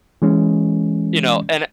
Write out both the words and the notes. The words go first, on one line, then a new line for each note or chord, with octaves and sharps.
you know and
E3 G#3 C#4